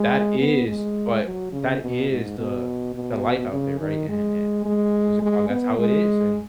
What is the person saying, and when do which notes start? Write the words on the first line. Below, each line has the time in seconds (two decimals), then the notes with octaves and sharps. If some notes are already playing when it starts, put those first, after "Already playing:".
that is but that is the the life out there, right? And and a yeah, what's it called? That's how it is, and,
Already playing: G#3
0.40 B3
0.68 G#3
1.25 F#3
1.53 C#3
1.81 B2
2.10 G#2
2.38 B2
2.95 B2
3.52 C#3
3.81 D#3
4.09 G#3
4.65 G#3
5.22 G#3
5.50 B3
5.79 G#3